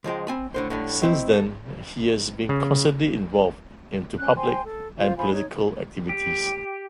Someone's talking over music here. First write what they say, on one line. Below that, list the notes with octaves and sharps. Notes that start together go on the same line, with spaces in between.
Since then, he has been constantly involved into public and political activities.
C#2 F3 G#3 G5
C4 G#5 B5
A2 D3 C5
A2 D3 G3
D#3 C4 E4
A4
C#3
C#4 F#6
C5 G5 G#5 C6
A4
F4 C5
F4 C5 G#5 B5
D#4 C#5
G4